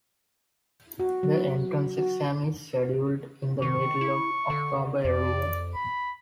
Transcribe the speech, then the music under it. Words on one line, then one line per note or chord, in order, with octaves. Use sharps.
The entrance exam is scheduled in the middle of October every year.
F#4
F#3
F#4
D#3 C#6
E4
D3
F2 D5
B5